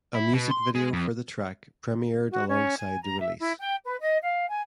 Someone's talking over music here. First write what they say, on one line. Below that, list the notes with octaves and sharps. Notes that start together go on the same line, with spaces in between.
A music video for the track premiered alongside the release.
E4
B2
C6
G#3
F2
F#4
C#4
G#5
A#5
E5
E4
G5
B4
D#5
F5
G#5